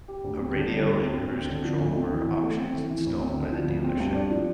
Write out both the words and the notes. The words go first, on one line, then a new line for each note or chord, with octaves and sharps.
A radio and cruise control were options installed by the dealership.
G4
D2
C4
D3
G3
D2
C4
D2
C4
D3
F3
D2
C4
E3
E3
A3
C4
E3
E3
D2
C4
D3
F3
D2
C4
G2
D4
F3